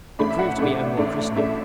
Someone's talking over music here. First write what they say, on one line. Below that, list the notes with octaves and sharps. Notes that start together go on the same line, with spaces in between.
It proved to be only a christening.
A1 A2 A3 D4 B5
E5
F#5
A1 A2 A3 D4 E5
A1 A2 A3 D4 D5
A1 A2 A3 D4 E5